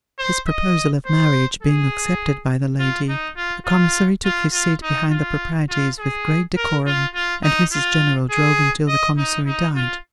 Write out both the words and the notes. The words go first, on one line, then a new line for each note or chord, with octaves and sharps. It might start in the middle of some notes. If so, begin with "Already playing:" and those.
His proposal of marriage being accepted by the lady, the commissary took his seat behind the proprieties with great decorum, and Mrs General drove until the commissary died.
C5
D#5
C5
G#4
F4
D#4
F4
F4
F4
F4
D#4
F4
F4
G#4
A#4
F4
F4
D#4
F4
G#4
D#5
D#4
D#4
F4